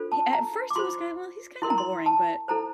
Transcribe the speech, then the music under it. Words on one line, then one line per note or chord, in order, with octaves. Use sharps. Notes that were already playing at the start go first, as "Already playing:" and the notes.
He at first, he was kinda, "Well, he's kinda boring," but,
Already playing: D4 F4 A4 C5
A5
A#5
D6
F4 C5 C6
E4 A#4 C6
A#5
C6
A5
E4 A4 C5 A#5